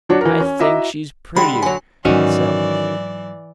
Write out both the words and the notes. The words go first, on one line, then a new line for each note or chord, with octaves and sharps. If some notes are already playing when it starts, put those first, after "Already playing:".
I think she's prettier, myself.
F#3 D4 F#4 C#5
E3 F#4 A#4
C#4
E4 F#4 D#5 E5 A#5 D6
D3 G3 G#3 B5
D3 F#3 G#5
G#2 D#3 E3 F#3 C#4 F#4 D5